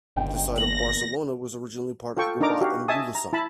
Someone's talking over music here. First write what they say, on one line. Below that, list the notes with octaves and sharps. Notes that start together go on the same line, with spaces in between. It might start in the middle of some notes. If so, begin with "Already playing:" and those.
The site of Barcelona was originally part of Gubat and Bulusan.
G1 C#2 D#4 G5
E2 A#3 A#6 F#7
F4 A4 G5 C#6
D4 D#4 A#4 A#5 D6
F#4 G4 F5
D#5 E5 G#5 A5 D#6
A#5
E4 A5 B5